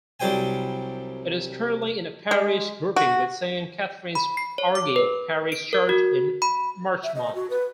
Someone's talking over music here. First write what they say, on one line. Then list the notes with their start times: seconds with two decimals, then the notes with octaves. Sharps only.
It is currently in a Parish Grouping with Saint Catherine's-Argyle Parish Church in Marchmont.
0.20 C2 F#3 G3 C5 G5 G#5
2.31 G#3
2.96 F#4
4.15 B5
4.37 C7
4.58 C#5
4.75 D6
4.96 B4
5.52 D7
5.73 A#4
5.89 F#4
6.42 B5
7.04 E5
7.16 D#5
7.35 F#4
7.50 B4